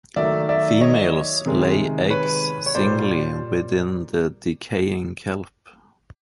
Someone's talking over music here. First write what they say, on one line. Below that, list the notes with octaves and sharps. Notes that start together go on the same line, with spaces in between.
Females lay eggs singly within the decaying kelp.
D#3 F#3 A3 D5 E5
D5 E5
C#5 D#5
C3 D#3 G#3
B4 C#5
C#5
A#2 G3 A#3 C5 D5